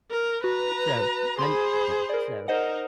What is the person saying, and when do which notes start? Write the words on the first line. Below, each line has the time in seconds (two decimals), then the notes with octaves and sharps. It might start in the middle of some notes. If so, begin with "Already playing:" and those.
so and Yeah, so
0.11 A#4
0.44 F#4 B4 A#5
1.39 G#4 C5 B5 C6
2.09 A#4 D5
2.48 D#4 A#4 C5 D#5 F#5